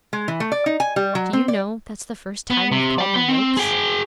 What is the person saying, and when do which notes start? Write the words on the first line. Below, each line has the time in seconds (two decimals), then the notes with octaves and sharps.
'Do you know, that's the first time you've called me "Noakes"?'
0.13 G#3
0.28 E3
0.40 A3
0.52 D5
0.66 D#4
0.80 G#5
0.96 G3
1.15 F#3
1.33 C4
1.48 D5
2.50 B3
2.72 C3
2.98 D5 G5
3.16 B3
3.28 C4
3.57 G#4 G5